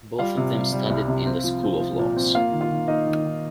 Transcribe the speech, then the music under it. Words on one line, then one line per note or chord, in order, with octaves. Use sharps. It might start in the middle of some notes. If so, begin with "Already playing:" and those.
Both of them studied in the School of Laws.
G3 F4 F5
C3
G3
G3
C2
C3
C4
F3
C4
F3
A#2
C4
A#3 F4 F5
D#3
F4 F5
D#3
A#3 D#4 D#5
D#3
D#3